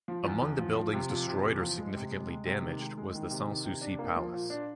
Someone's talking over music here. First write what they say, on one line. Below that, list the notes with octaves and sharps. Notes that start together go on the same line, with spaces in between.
Among the buildings destroyed or significantly damaged was the Sans-Souci Palace.
F3
E2
E2
F3
F3
C3
F3
C3
E2
F3
G#3
C3
G#3
G#3
C3
D#3
G#3
G#3
D#3
C3
D#3
C3
D4
A#3
F3
A#2
D4